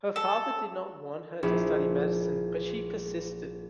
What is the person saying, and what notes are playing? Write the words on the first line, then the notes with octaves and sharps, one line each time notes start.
Her father did not want her to study medicine, but she persisted.
A4
A#1 E4 G#4